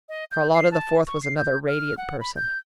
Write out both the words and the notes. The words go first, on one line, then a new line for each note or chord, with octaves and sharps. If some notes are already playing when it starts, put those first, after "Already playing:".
Charlotta the Fourth was another radiant person.
D#5
G6
C7
A5
C#6
C7
G6
F6
F#5
B5
G6